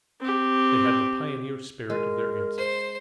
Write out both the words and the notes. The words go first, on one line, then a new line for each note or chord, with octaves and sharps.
They had the pioneer spirit of their ancestors.
C4 G4
G#3 A#4
C5